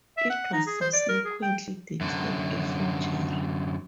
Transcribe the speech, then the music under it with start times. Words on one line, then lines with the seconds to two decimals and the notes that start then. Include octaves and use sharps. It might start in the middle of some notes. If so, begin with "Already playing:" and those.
It was subsequently declared a forgery.
0.17 E5
0.30 F#5
0.53 D#4
0.67 G#4
0.81 C5
0.93 D5
1.09 A#4
1.25 G#4
1.42 G5
2.01 F#2 D3